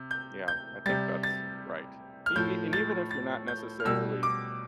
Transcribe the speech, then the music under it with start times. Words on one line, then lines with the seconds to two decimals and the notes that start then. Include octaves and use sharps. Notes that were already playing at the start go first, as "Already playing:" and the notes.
Yeah, I think that's right. E e and even if you're not necessarily
Already playing: C3
0.11 G6
0.48 G6
0.86 C3 G3 A6
1.23 A6
2.26 F6
2.35 A2 F3 G6
2.73 A6
3.11 A6
3.48 G6
3.80 F6
3.85 B2 G3 E6
4.23 D6